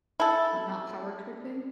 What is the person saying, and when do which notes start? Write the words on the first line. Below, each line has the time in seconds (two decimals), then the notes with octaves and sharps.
not power tripping?
0.20 E4 A4